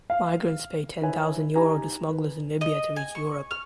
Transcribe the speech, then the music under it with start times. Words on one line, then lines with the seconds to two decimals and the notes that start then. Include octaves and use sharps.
Migrants pay ten thousand Euro to smugglers in Libya to reach Europe.
0.10 F5
1.02 D#4 E4 B4 C#5 G#5
1.56 D#4 G4 G#5 A#5
2.10 B4
2.61 D#5
2.96 G#5
3.15 C#6
3.51 F6